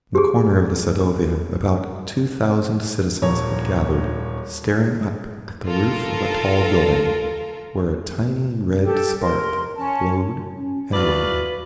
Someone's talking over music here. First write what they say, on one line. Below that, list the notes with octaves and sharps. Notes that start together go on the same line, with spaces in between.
On the corner of the Sadovaya about two thousand citizens had gathered, staring up at the roof of a tall building, where a tiny red spark glowed and waned.
G4 G#4
D#1 C#5 A#5
F4 A4 A#4
G4 A4
A#4 C6
C#4 A5
C#4
E2 F4 F#4 B4 D5